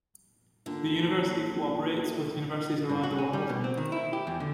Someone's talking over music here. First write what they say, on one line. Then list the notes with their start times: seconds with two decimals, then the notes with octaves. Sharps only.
The university cooperates with universities around the world.
0.66 A#2 D3
1.05 A#1
2.04 A2
2.89 G2
3.03 F#4
3.18 C#4
3.33 G3
3.49 B2
3.64 C4
3.77 D#3
3.92 E4
4.13 G4
4.27 E2
4.40 D3